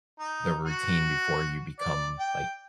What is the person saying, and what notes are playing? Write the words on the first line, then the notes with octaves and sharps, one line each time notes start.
the routine before you become, like,
D#4
F#4
D5
G5